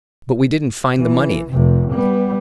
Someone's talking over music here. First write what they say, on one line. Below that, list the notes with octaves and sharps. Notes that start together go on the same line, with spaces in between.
But we didn't find the money in it.
E3
F1 C3
G3 B3